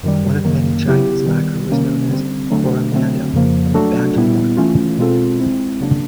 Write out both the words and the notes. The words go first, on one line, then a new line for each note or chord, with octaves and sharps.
One of many Chinese lacquer was known as "Coromandel" or "bantomwork".
F#2 D#3 G3
F#2 D#3 F#3 A#3
C#3 F#3 B3 E4 G4
D#3 G3 B3
C3 D#3 G3 A#3 C#4
D3 G3 C4
D3 F#3 A3 D4
D3 F#3 A3 C4
F2 C#3 F3 A#3
F#3 A3 D4 F#4 A4
A#2 G3 B3 E4
E3 A3 C#4 F4
B2 G#3 C4 F4 A4
G#3 C4 E4
C#3 F#3 A#3 D4